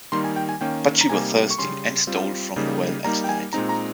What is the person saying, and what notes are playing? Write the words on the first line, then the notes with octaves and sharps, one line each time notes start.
But she was thirsty, and stole from the well at night.
D#3 G3 A#3 D#4 C6
G#5
G5
G#5
D#3 A#3 C#4 G5
A#5
C3 G3 A#3 D#4 G#5
C#6
C#3 G3 C#4 C6
G3 C4 F4
C#3 G3 A#3 D#4
G3 A#3 D#4 A#5
G5
G#5
A#2 G#3 C4 D#4 A#5
A#5